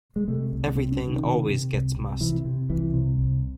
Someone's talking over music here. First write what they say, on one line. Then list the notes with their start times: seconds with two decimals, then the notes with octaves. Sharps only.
Everything always gets mussed.
0.16 G#3
0.28 C3 A3
0.52 C2
0.75 C3 C4
0.92 C#4
1.00 C3
1.08 D#3
1.25 C3
1.49 C3
1.73 C2
1.96 C3
2.21 C3 E3
2.45 C3
2.69 C2 E3
2.93 C3
3.18 C2